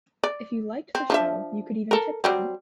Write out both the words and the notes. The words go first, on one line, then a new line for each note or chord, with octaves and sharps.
If you liked the show, you could even tip them.
D5
C4
F3 D4 E5
A4 A#4
F#3 G3 C4